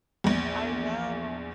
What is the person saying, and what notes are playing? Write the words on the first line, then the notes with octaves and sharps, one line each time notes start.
I know.
A#1 E2